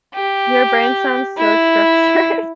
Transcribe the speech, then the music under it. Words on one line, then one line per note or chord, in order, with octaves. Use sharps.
Your brain sounds so structured. I
G4
E4